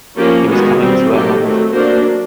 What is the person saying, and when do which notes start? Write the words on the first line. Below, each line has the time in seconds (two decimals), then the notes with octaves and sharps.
He was coming to her hand.
0.17 F3 A#3 C#4 F4 G4
0.48 D#3 G#3 B3 F#4 G#4
0.79 G3 C4
1.10 D#3 F#3 A#3 G4 A4
1.42 F#3 A3 C4
1.73 F#3 A#3 D4 A#4 C5